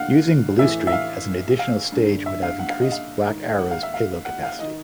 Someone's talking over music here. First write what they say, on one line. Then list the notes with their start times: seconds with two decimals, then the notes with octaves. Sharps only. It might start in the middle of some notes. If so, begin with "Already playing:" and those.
Using Blue Streak as an additional stage would have increased Black Arrow's payload capacity.
Already playing: D3 F5 F#5
0.59 A2 E3 E5
0.87 E5
0.92 F5
1.59 F5
1.92 G2 D3
2.26 E5
2.43 F5
2.59 F#5
2.70 F5
2.81 D#5
2.92 F5
3.25 G#2 D#3
3.59 F#5
3.71 F5
3.83 E5
3.94 F5
4.25 F#5
4.43 F5
4.59 D#5
4.62 D#3